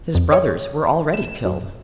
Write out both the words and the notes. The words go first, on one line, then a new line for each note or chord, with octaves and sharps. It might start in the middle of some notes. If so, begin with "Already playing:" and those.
His brothers were already killed.
F2
C#5
E7
F#2